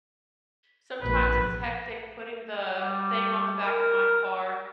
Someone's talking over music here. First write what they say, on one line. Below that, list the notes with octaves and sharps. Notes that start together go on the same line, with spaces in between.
Sometimes it's hectic putting the thing on the back of my car.
A#1 G#2 B4
G3
A#4